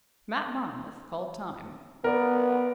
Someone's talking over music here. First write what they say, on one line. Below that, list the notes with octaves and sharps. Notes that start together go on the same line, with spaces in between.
Mat Monmouth called time.
B3 A#4 D5